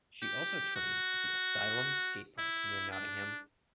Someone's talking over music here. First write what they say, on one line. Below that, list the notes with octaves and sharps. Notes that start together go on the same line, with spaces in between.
She also trains at the Asylum skate park near Nottingham.
G4
F#4
E4
D4